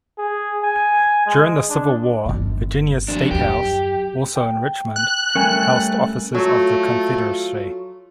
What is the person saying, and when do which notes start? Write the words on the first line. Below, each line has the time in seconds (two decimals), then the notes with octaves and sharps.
During the Civil War, Virginia's statehouse, also in Richmond, housed offices of the Confederacy.
0.19 G#4
0.64 G#5
1.27 G#3
1.70 D4
2.26 G1 D#3
3.08 F2 D4
3.31 F#2 D3 G4
4.36 G5
4.96 F#6
5.35 G3 A3 C#4 A#4 G5 G#5
6.35 F#3 A3 F4